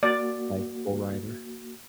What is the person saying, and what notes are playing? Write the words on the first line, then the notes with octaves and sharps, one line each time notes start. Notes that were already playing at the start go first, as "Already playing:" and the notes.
like, bull rider.
A#3 F#4 D5